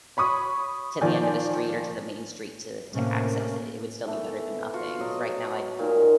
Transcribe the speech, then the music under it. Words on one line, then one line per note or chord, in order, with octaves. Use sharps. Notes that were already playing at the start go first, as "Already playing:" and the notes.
to the end of the street or to the main street to to access it, it would still be better than nothing 'cause right now I
C#5 B5 C#6 D#6
D#3 F3 D5 G#5 G6
A2 C3 A3 A#3 C#4
E3 A3 B3
F4 F#4 F#5 C#6
F#3 D#5
A#2 D#3 G#3